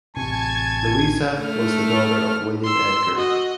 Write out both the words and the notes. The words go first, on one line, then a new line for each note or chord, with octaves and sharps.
Louisa was the daughter of William Edgar.
A1 C3 G#5 A5 C#6 G#6
A3 F6
C6 E6
F#4 D#5